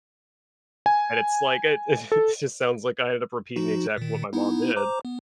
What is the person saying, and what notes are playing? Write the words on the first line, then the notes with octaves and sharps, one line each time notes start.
And it's like it it just sounds like I ended up repeating exactly what my mom did.
G#5
A4
F3 D#4 F#4
A#2 D#3
B3 D#4 E4
C5 A#5 D6
B3